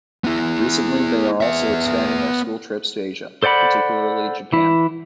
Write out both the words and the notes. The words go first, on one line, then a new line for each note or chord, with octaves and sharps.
Recently they are also expanding their school trips to Asia, particularly Japan.
B3 E4
B3 E5
A4 C5 D5 F#5 B5
E3 E4